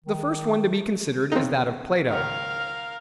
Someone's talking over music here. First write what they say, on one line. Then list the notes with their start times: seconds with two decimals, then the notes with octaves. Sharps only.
The first one to be considered is that of Plato.
0.04 D#3
1.32 E2 C#3 C4 C#4 D#4
2.10 C#2 D#3 A#4 F5 F#5